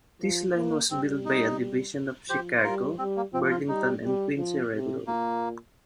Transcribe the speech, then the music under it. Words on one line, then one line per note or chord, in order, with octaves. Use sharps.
This line was built by a division of the Chicago, Burlington and Quincy Railroad.
F3
A#3
G3 C4
D#4
F3 G4 C5
C5
G3 F4 A#4
G3 C4
A#3
F3 C4
F4
G3 D#4
G3
F3
C3
A#2 A#3